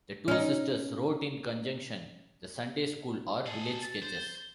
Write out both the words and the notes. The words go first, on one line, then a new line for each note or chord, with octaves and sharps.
The two sisters wrote in conjunction "The Sunday-School, or Village Sketches".
C#4 D#4
G#4 A4
A6
C5